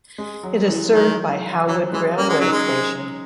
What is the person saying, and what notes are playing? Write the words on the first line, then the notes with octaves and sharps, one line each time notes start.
It is served by Howwood railway station.
G#3
F#3
E3
D#3 F#3
E3 F#3
E3 G#3
A#3 C#4
G#3 C#4
F#3 D#4
G#3